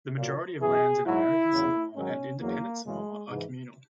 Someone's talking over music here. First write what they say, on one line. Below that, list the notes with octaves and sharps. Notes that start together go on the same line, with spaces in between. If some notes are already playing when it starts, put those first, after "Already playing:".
The majority of lands in American Samoa and independent Samoa are communal.
A#2 F#3
F#2 E3 G#4
G#2 F#3 E4
E2 C#3 F#3
G#2 D#3 F#3 C#4
E2 C#3 F#3 A#3
F#2 C#3 E3 G#3
G#2 E3